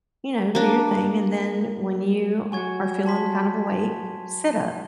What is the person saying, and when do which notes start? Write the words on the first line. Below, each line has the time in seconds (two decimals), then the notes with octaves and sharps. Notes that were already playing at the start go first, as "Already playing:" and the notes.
you know, do your thing, and then when you are feeling kind of awake, sit up,
0.55 A#3 D4
2.52 F#3 F#4 G#5 C#6 G#6
3.06 A5 C6 B6